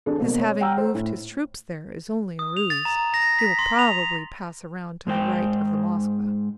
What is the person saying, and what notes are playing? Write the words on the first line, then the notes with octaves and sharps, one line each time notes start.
His having moved his troops there is only a ruse; he will probably pass round to the right of the Moskva.
D4 G#4 A4
B2 A#3 C4
C#5
F#5 G5 A#5 E6 F6
A4 C5
A2
D#6
F7
A6
A#5
A#6
B6
C6
F7
G#2 G#3 C5 G5